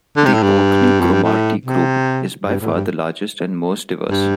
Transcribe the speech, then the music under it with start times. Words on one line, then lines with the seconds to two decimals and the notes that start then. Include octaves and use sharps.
The Orkney-Cromarty group is by far the largest and most diverse.
0.16 D3
0.25 C3
0.33 A2
0.43 G2
1.00 F2
1.12 G2
1.24 A2
1.65 C3
2.47 G2
2.61 A2
2.74 G2
4.10 G2